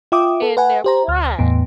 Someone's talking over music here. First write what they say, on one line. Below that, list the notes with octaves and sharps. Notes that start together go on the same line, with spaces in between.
and their pride.
F4 E5 G5 D6 D#6
A4
B4 F#5 G#5
G4 C5 A#5
D2 F6
E2 A2 B3